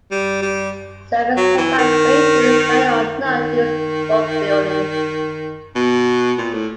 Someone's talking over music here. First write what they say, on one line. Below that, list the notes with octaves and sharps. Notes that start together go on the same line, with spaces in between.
Service providers may choose whether or not to use bulk billing.
G3
G3
F#3
E3
D#3
D#3
B2
A#2
A2